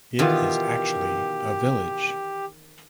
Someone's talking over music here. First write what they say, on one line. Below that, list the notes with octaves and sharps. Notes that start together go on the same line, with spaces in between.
It is actually a village.
B2 D#3 E3 F4 G4